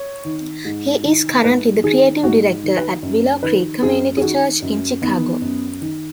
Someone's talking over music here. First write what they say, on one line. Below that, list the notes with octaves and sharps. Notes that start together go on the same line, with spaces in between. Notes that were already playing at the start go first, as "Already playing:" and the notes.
He is currently the creative director at Willow Creek Community Church in Chicago.
Already playing: C#5
D#3
G#2
D#3
G#2 B4
D#3 G#4
G#2 F#4
D#3
B4
F#2
D#3 B4
F#2 G#4
G#4
D#3 F#4
F#2
D#3 B3
F#2
D#3